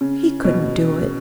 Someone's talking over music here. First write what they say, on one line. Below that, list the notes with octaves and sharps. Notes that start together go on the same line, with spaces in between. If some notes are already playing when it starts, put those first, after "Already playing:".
He couldn't do it.
C#3
B2